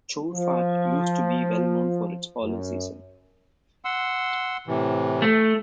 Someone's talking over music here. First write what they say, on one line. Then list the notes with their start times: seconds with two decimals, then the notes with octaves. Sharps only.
Choueifat used to be well known for its olive season.
0.33 F3
2.42 F#2
3.85 F#5 C6 E6
4.67 A2 C3 E3
5.22 A3